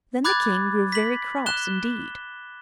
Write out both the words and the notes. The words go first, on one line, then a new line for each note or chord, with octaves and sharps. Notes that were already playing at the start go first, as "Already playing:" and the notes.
Then the king grew very cross indeed.
B5 D6 F#6 G#6 A6
B6 F#7
F#6 E7 G7